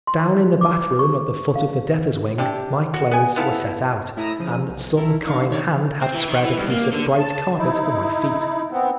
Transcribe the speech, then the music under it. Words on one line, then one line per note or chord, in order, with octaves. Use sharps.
Down in the bathroom at the foot of the debtors' wing my clothes were set out, and some kind hand had spread a piece of bright carpet for my feet.
C6
D6
C#6
F5
C3 D4 G4
F#4
B3 G#5
B3 E4 A4 F5
A2 E4 A#5 D#6 E6 A#6
C#3 F3 D#7
B1
E4 A4 A#4
D4 D#4 F5 C#6
D#3 C#5 D5
C4
E3
D#3
E3
G2
A#3
D3
A5
D#4 E4
B3 C4